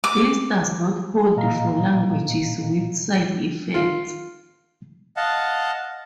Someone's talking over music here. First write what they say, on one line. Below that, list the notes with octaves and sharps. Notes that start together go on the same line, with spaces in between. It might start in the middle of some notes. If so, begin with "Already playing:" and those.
This does not hold for languages with side-effects.
D6
A#2 D#5 F5 A#5
F4
D#5 F5 F#5 A5